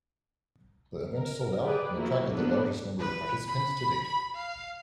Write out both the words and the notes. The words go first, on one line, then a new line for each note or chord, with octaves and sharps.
The event sold out and attracted the largest number of participants to date.
A#4
G4 G#4 B4 D5
F#3 A#3 E4 F4
G#3 A#3 B3 D4 A4 B4
B4
B5
B5
F5